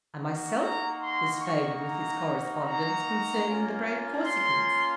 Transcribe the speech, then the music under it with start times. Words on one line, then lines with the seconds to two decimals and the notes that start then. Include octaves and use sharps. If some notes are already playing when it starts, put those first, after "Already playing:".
I myself was favoured with his correspondence concerning the brave Corsicans.
0.19 A#3 D#4 F#4
0.59 A#5
1.00 C6
1.41 C#6
1.81 A#5
2.63 A#5
3.45 A#3 C#4 F4
4.26 C6